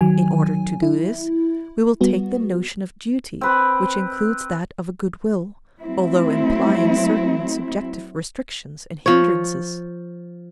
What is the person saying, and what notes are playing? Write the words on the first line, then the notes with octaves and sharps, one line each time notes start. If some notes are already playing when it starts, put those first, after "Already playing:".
In order to do this, we will take the notion of duty, which includes that of a good will, although implying certain subjective restrictions and hindrances.
D#3 F#3 G#5
E4
G3 B3 F#4
C4 B4
F#3 A3 C4 E4
F3 C#5